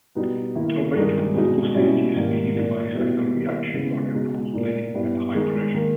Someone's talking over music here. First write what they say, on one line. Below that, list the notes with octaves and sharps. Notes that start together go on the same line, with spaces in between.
Turbines with multiple stages may utilize either reaction or impulse blading at high pressure.
B2 G3 B3 D#4
D#3 A#3 E4
G2 D#3 G#3 D#4
B2 G#3 D#4
B2 G3 C#4 E4
G#2 D#3 G3 A#3
A#2 A#3 D#4
B2 G3 B3 E4
D#3 G3 A#3 E4
C#3 G#3 B3 E4
B2 G#3 D#4
A#2 A#3 D#4
G2 G3 B3 E4
D#3 G#3 D#4
D#3 A#3